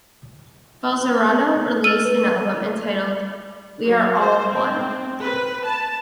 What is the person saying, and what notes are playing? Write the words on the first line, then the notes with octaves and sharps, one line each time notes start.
Falzarano released an album entitled "We Are All One".
E6 F6 A6 D#7
B4
F#3
C5
C4
B4
A5